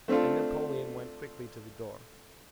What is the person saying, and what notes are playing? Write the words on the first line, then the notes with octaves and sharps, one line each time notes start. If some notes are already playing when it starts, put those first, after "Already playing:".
And Napoleon went quickly to the door.
A3 C4 D4 F4 A4